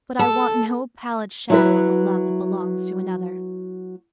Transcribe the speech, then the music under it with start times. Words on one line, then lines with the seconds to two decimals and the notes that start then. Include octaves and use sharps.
But I want no pallid shadow of the love that belongs to another.
0.19 A4
1.50 F#3 E4 B4